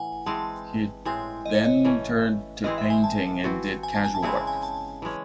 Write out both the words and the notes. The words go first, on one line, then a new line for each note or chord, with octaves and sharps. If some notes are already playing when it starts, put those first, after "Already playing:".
He then turned to painting and did casual work.
Already playing: A2 E3 F#5 G#5
E3 G#3 C4 A5
A2 G#3 C4 G#5
D#5
C#5
D#5
E3 A3 C#4
E3 G#3 C4 E4 D#5
E5
G#5
A5
E3 C4 F#4
G#5
A5
G#5
A5
C#3 G#3 C4 E4 G#5
A5
G#5
A5
E3 G#3 C#4